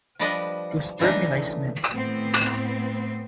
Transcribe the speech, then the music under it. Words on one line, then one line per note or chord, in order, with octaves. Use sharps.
To 'spermulise' men.
F3 G3 D4 B4 D5 D#5
C#3 E3 A3 D4 D#4
A2 B3 C4